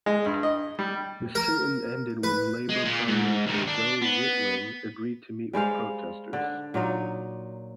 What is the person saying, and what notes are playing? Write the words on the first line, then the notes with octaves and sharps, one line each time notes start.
The sit-in ended when Labor Prime Minister Gough Whitlam agreed to meet with protesters.
G#3
G2
D#5
G3
A#4
B4
G#3
A#2
G#2
D2 D#3
D4
B3
G3 G#3 C5 F5
D3
A#2 F#3 D#4 D#5